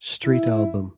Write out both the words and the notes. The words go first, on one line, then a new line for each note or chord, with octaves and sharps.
Street album.
E4